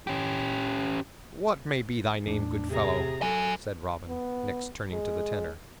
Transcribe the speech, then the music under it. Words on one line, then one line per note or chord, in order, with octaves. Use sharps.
"What may be thy name, good fellow?" said Robin, next, turning to the Tanner.
C#4 G4
E2 A2 D4
C3 G#4 A#5
F#3 A4 G#5
B3
G#3